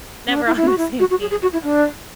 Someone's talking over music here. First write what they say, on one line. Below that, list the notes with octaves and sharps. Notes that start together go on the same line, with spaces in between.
never on the same team, it felt like,
C#4
D4
E4
E4
F#4
E4
F#4
F#4
G#4
G#4
F#4
E4
D4